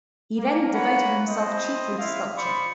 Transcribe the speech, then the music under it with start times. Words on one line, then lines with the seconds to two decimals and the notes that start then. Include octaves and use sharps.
He then devoted himself chiefly to sculpture.
0.38 A#3
0.72 A#3 B4 C#5 F#5
1.27 A3 C4 E4 C5 D#5
1.98 E4 F4 E5 F5
2.36 F4 C5 D5 D#5 B5 C#6